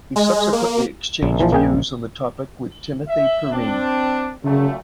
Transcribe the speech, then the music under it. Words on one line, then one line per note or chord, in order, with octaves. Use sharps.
He subsequently exchanged views on the topic with Timothy Perrine.
G#3
A#3
A#1
E3 F3
A#3 G#4 G5
E5
C4 D4
F#2 A#2 C#3 A3